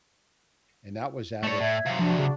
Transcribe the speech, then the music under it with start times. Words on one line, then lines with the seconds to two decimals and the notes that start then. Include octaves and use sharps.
And that was at it
1.43 A3 C#5 D5
1.60 A2 E5 G#6
1.86 C3 F#3 F5
1.99 F3 D4 F#4
2.19 C#3